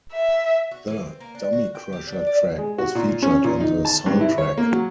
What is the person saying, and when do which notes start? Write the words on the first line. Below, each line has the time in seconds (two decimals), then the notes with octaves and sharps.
The "Dummy Crusher" track was featured on the soundtrack.
0.12 E5
0.71 F#4
0.87 E3
1.02 C4
1.20 A#3
1.35 D4
1.53 F#4
1.75 G5
1.93 G4
2.07 D4
2.27 D5
2.58 G#3
2.78 F#4
2.95 A#2
3.22 C#4
3.44 A#2
3.60 D#4
3.85 A5
4.06 G2
4.21 E4
4.38 C#5
4.58 A#3
4.72 F#3